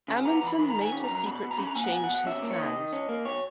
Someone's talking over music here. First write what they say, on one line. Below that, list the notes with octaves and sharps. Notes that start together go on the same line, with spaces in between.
Amundsen later secretly changed his plans.
C#3
B3 A#5
A#5
E3 B5
D#3 B5
A#5
D#3
G#5
C#4
A#5
F#3
A#5
B2 B5
B2
A#5
C#4 B5
A#5
A#3 G#5
F#5
B2 G#5
F#5
B2
F#5
C#4 E5
A#3
C#5
D#3 D#5
D#3
C#4
A#3
B2 C#5